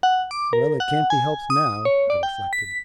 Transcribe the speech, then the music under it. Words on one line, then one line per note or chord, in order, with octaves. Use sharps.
"Well, it can't be helped now," I reflected.
F#5
D6
A#4
F#5
G#5
D#6
C#5
D5
G5
B6